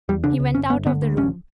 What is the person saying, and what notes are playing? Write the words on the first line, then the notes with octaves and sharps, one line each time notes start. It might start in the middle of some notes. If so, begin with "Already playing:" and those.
He went out of the room.
E2 G3
C#3 D4
C#2
G1 C#4
G1 B3
D3 B3
D2
A1 C#4